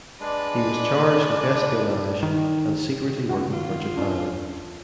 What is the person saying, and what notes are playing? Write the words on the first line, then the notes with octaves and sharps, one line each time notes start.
He was charged with espionage and secretly working for Japan.
G#3 D4 B4 D5
D#3
C#3 G#3 F#4
D#3 F4
E2 C#4 D4